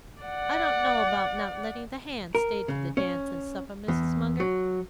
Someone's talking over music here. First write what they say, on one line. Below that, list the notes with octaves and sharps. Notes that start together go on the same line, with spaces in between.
I don't know about not letting the hands stay to the dance and supper, Mrs. Munger.
D5 F#5
A#4
C#3
C#4
E2
F#3